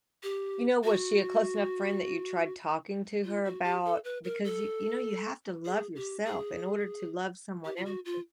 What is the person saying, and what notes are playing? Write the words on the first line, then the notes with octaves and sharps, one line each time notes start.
you know, was she a close enough friend that you tried talking to her about because you you know you have to love yourself in order to love someone else and
G4
F#4
F4
F#4
G4
A4
B4
A#4
A4
G#4
G4
G#4
G4
F4
F#4
F4